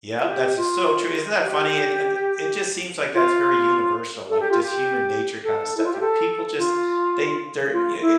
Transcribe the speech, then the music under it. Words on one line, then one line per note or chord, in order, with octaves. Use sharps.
Yep, that's s so true, isn't that funny, and and it just seems like that's very universal, like, just human nature kinda stuff, you know? People just they they're y
F4
G4
F4
G4
F4
A4
G4
F4
G4
A4
E4
F4
G4
A4
F4
F4
E4